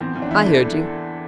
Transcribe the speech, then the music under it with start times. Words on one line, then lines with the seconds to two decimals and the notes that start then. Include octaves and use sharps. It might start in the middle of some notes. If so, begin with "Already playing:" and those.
I heard you.
0.01 E2 C4
0.15 E2
0.22 D4
0.31 E3 E4
0.46 E3 A4